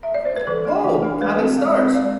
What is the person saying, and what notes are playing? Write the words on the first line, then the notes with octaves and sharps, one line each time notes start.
Oh! And it starts!
E5
D5
C5
B4
E3 A4
A3 D4
E3
A3 D4
G#3 B4
C4
G#3
C4
G#3 D5